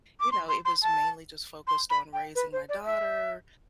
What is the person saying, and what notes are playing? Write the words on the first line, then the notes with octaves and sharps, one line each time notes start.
you know, it was mainly just focused on raising my daughter,
D6
C6
C6
C6
A5
C6
B5
G5
B4
C5
D5
E5